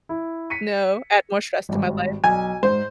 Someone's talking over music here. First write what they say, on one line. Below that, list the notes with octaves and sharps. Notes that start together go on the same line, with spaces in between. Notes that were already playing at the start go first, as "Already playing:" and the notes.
No, add more stress to my life.
E4
B6 C#7 D#7
G#1 G2
B1 G#5
G#2 C5